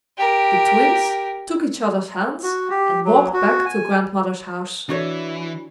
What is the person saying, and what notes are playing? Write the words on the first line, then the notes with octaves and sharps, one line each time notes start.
The Twins took each other's hands, and walked back to Grandmother's house.
G4 A#4
F#4
G4
F#3
F#4
G#5
E3 D4 F#4 C#5